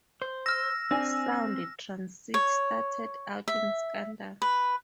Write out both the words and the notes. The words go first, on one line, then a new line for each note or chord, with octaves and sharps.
Sound Transit started out in scandal.
C5
E6 F6 A#6
C4 D4 G#5
C#5
E5
B4